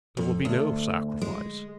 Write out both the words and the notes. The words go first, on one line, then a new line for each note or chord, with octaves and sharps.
There will be no sacrifice.
F2
D2
G#3